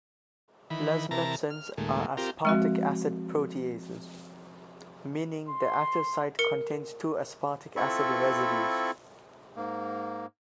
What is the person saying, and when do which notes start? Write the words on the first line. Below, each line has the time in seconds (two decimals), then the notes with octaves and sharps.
Plasmepsins are aspartic acid proteases, meaning their active site contains two aspartic acid residues.
0.70 D#3 E3 B5
1.11 C3 E3 A#4 A5 A#5
1.50 F6
1.77 D#2 A#2 G#3 A3
2.17 C4 F4 G4 A#4
2.45 F3 G#3 C4 F#4
5.48 C6
6.39 A#4 C#7
7.76 C4 E4 F4 A4 B5 C#6
9.57 G#2 A#3